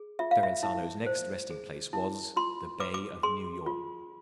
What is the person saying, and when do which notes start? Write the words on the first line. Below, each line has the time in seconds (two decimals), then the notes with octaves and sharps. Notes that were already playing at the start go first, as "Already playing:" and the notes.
Verrazzano's next resting-place was the Bay of New York.
Already playing: G#4
0.19 F4 E5
0.31 F5
0.43 E5
0.63 E4
1.06 C5
1.50 G#4
1.93 E4
2.36 F4 C6
2.80 B4 D6
2.94 D6
3.23 G#4 C6
3.66 F4